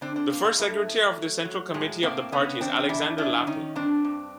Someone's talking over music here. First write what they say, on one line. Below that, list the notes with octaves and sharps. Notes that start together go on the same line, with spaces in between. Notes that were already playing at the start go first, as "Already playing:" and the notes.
The First Secretary of the Central Committee of the party is Alexander Lapin.
D3 C4 D4
C4 D4
G2 A#3 C4
G#3 A#3
G2 A3
F3
F#3
F#3
A2 G#3
A2 A#3 C4
C#3 B3 C#4
E2 C4 D4
E2 D4 E4
E3 D4 E4
D#3 C#4 D#4
G2 C4 D4
G2